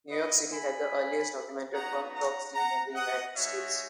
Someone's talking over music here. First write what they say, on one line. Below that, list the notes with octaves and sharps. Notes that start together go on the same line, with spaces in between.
New York City had the earliest documented punk rock scene in the United States.
B3 E4 B4 D#5
G#5 B5
B3 D#4 F#4 F#5 A#5
F#5 A#5
F#5 A#5
D#5 F#5
G#3 D#4 F#4 C#5 E5